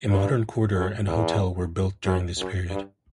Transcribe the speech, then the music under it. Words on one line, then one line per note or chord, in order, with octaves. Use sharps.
A modern quarter and a hotel were built during this period.
G2
F#2
E2
F#2
F#2
G2